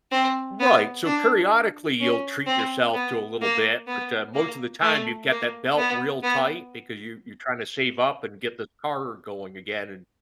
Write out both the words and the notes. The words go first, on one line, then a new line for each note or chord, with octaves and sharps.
Right, so, periodically, you'll treat yourself to a little bit, but, uh, most of the time you've got that belt real tight because you you're trying to save up and get the car going again and
C4
B3
D4
C#4
C4
B3
A#3
B3
A#3
A3
A#3
B3
B3